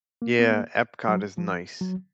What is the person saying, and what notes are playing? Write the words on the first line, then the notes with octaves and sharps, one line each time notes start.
Yeah, Epcot is nice.
A#3
B3
A#3
F#3
F3
F#3